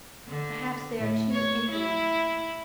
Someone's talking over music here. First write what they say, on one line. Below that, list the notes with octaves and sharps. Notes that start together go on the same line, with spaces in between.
Perhaps they are too indolent.
D3
A2
C#5
E4